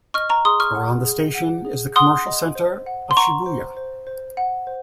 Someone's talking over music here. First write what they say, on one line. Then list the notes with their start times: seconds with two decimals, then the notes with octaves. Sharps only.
Around the station is the commercial center of Shibuya.
0.14 D#5 C#6 F6
0.30 A#5 C#6
0.45 G#4 C6 D#6
0.60 C#6 F6
0.75 F#5
1.05 G#4
1.35 F#5
1.65 G#4
1.96 F#5 C6 D#6
2.26 D#5
2.55 C5
2.86 F#5
3.11 C6
3.17 F#5 A#5 C#6
3.46 C5
3.77 C5
4.07 C5
4.37 F#5
4.67 C5